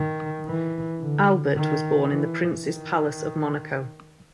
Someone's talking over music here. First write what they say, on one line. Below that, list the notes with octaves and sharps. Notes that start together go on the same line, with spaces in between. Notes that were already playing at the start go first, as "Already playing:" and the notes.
Albert was born in the Prince's Palace of Monaco.
Already playing: D#3
E3
D3
D#3
E3
D#3